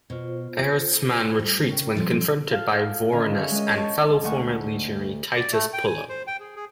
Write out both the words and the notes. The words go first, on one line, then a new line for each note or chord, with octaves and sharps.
Erastes' man retreats when confronted by Vorenus and fellow former legionary Titus Pullo.
B2 F4 C5
A4
G3 A4
C#3 A#4 G5
A#2 F3 G3 C4 A4
F4 A4 F5 F6
D3 D#3 C#4 A#4 F5
G#4 C#5 E5
G#3 C#4 D#5
A5 C#6
D2 D3 A3 F#5 G#5 C#6
D5
A3
G5
G#5
C5
G5
G#4
G#4